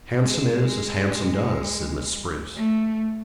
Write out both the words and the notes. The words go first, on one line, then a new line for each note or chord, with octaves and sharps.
"Handsome is as handsome does," said Miss Spruce.
G#3
A3